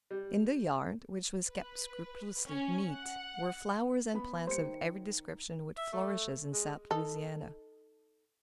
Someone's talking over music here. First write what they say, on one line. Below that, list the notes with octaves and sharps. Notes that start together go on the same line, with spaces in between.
In the yard, which was kept scrupulously neat, were flowers and plants of every description which flourishes in South Louisiana.
G3
B4
C#4
F#5
B3 B5
G3 A#3 C5 C#7
D#3
E5
A3
G#3
D#4 A4